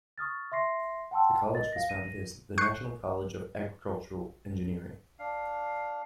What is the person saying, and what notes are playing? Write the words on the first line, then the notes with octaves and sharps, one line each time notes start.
The college was founded as the National College of Agricultural Engineering.
C#6 D#6 F6 A6
E5 C6 A#6 C7
F#5 G5 A5 C6 E6
A#4 D#5 A6
F5 A#6
A#6 D#7
C#6 F#6 G6 C7 C#7
D4 F5